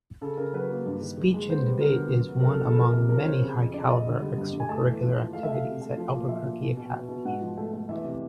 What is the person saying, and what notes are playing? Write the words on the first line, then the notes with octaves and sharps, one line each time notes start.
Speech and Debate is one among many high caliber extracurricular activities at Albuquerque Academy.
C#3 A4
C#3 A#4
F#3 B4
A#3
G2
D#3
D#3
G#3
B3 C5
G3
D3 A#4
B3
F#2
F#3
A#4
F#2 A4
C#3 A4
F3 A#4
C3
F3 A#4
C#5
C3 C5
C#3
F2
C#3 D5
F2 D#5
D3
G3
G2
G2
G#5
A3 A5
E2
F3
F3
A3 F5
E5
A3
F5
C3
A3
F3
A#2
F3 E5
A#2
B2
B2
B2
B2
G#2 F#5
F3
A3
A3
E2 E5
C3